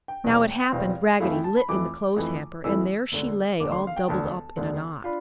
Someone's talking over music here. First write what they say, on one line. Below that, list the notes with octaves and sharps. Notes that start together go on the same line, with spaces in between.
Now it happened Raggedy lit in the clothes hamper and there she lay all doubled up in a knot.
G5
E2 B2 G3 C4
E2 B2 G3 C4 F5
F2 E3 A3 E4 F5
G5
A5
B5
F2 E3 A3 E4 D6
F2 E3 A3 E4
F2 E3 A3 E4 E6
E1 D2 D3
E1 D2 D3 D6
C6
F5
G5
E1 D2 D3 A5
E1 D2 D3
D4 F4 B5